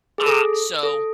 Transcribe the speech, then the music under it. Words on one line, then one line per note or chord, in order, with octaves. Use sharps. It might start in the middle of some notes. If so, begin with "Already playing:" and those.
Ah, so,
G#4
A4
A4